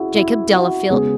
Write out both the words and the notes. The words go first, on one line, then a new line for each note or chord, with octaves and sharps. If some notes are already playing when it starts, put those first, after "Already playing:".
Jacob Delafield?
Already playing: C#4 E4 F#4 G#4
E4
F#4
C#3 G#3 B3 G#4